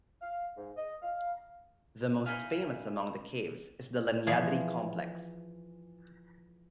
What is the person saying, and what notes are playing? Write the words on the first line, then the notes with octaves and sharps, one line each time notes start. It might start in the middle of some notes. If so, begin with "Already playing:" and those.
The most famous among the caves is the Lenyadri complex.
F5
G#2
D#5
F5
D#4 E4 G#4 F5
E3 F3 G#4